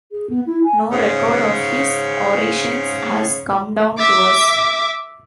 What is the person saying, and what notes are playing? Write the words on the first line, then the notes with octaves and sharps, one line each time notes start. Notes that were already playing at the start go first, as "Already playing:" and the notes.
No record of his orations has come down to us.
G#4
B3
E4
G#5
G#2 C#3
E5 D6